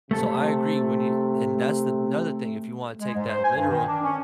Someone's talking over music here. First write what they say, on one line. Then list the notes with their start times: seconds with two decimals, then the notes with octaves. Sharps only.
So I agree, when you and that's another thing, you wanna take that literal,
0.11 C3 A3 A4
3.01 G#3
3.15 G#2
3.28 C5
3.43 G#5
3.56 G2
3.70 D#3
3.87 D4
4.03 C#4